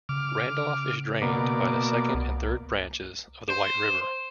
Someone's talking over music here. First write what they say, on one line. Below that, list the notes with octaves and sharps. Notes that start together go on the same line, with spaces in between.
Randolph is drained by the second and third branches of the White River.
C#3 D6 F6
B2 A#3 D5
C2
C5